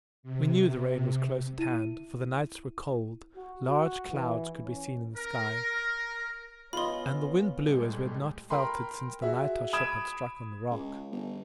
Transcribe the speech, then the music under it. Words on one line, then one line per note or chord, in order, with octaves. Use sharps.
We knew the rain was close at hand, for the nights were cold; large clouds could be seen in the sky, and the wind blew as we had not felt it since the night our ship had struck on the rock.
C3
E4 D#7
F#4
F#4
E3
C#4
A#4
B3 C#4 F4 D#5 B5 C6
A2 G3 G#3
A#4 G5 B5 C6
F#4 G#4 E5
B5 D#6 G#6 D7 E7
C#2
G1